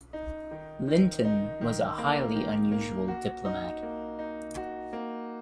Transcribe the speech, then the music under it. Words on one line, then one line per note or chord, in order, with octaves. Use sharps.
Linton was a highly unusual diplomat.
D#4
D#3
D#3
D#4
D#3
A#3
D#3
A#3
F#4
D#4
A#3
D#4
F#4
A#3